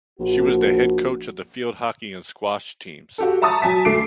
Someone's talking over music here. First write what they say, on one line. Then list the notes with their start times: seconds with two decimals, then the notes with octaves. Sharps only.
She was the head coach of the field hockey and squash teams.
0.19 A#1 F#4
3.18 F#4 G4 A4
3.42 E5 A5 A#5 C#6 D#6 A6
3.62 F#3 G#5 A5 B6
3.85 D3 A3 D6 C7 D7